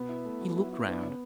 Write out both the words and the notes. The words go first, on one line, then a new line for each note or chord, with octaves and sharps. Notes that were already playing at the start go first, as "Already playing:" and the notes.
He looked round.
Already playing: B2 B3
E4
A3
F#3
E4
E4
B3 D4
C#3